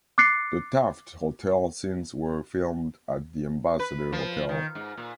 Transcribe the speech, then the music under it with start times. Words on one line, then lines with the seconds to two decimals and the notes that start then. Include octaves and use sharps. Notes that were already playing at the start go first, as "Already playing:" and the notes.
The Taft Hotel scenes were filmed at the Ambassador Hotel.
0.18 D6 F#6 A6 C7 C#7
3.79 B4
4.12 F3
4.49 D#3
4.75 G#2
4.97 A#2